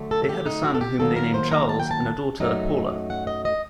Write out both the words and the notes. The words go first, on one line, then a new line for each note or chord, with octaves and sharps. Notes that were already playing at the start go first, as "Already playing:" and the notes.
They had a son whom they named Charles, and a daughter, Paulla.
Already playing: D3 F#3 A3
A4
A4
G4
D#4
F#4
A4
G4
D#2 D#3 F#3 A#3 A4
A#4
C5
A#5
A5
G5
A5
F#2 F#3 A3 D#4
F#5
D#5
D#5